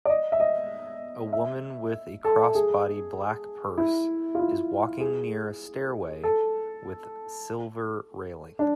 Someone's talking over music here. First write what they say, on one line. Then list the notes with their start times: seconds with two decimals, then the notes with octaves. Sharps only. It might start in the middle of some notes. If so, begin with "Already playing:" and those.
A woman with a crossbody black purse is walking near a stairway with silver railing.
0.05 D5
0.09 D#5
0.32 E5
0.40 D#5
1.33 E5
2.25 A4
2.55 G#4
3.78 E4
4.35 F4
4.39 E4
5.00 G#4
6.24 A4
8.59 D4